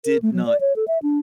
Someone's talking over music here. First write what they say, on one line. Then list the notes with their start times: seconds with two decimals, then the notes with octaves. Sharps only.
did not
0.05 A#4
0.22 A3
0.34 F#3
0.46 D5
0.61 C#5
0.76 A4
0.88 E5
1.03 D4